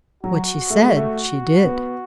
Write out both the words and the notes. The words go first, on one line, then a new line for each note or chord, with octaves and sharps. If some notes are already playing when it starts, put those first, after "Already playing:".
What she said, she did.
F#3 F#4
A3
G#3
A3
B3